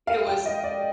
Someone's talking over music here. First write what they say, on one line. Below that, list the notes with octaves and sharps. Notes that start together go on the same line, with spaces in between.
It was
F5
G5
D#5
D5